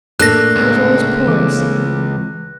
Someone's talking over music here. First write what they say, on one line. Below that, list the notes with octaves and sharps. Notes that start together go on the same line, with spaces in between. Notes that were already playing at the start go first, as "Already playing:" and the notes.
He was always poor and sickly.
A2 A3 A#3 D4 A4 E6 F#6 A#6
C#2
E3 C4 D6